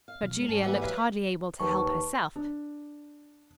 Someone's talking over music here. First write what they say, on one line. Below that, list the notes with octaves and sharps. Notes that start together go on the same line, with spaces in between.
But Julia looked hardly able to help herself.
F5
B2 F3 F#3
F#2 A2 G#3
G#2 C#4 A5
E3 G3 A#3 G4 B4 E5 F#5
F#3 B4 E5 F5
D#2 B4 A5 C#6
D4